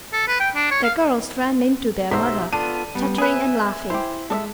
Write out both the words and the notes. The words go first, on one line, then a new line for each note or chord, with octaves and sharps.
The girls ran in to their mother chattering and laughing.
A4
B4
G5
D4
C#5
F5
B1 F#3 G4 C5 E5 E6
B3 D4 F4 A4 D#7
G3 B3
G#4 B4 E5 G#5
E4 G4 C5
G#3 A4 D5 E5